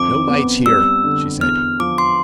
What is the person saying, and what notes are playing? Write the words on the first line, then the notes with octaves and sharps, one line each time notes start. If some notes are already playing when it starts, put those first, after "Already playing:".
"No lights here!" she said.
Already playing: F2 D3 F3 D6
B3
G3 E6
D3
E2 F6
F3 D6
C6